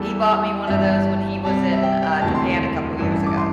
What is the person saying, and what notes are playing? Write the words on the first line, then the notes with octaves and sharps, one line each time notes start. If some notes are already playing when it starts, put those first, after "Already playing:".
He bought me one of those when he was in, uh, Japan a couple years ago
Already playing: E2 E3 G3 A4
G1 G2 E3 G3 E5
C2 C3 G3 A5
E5
G5
G5
E1 D2 C3 E3 A5
C6
A1 G2 E3
D6
C6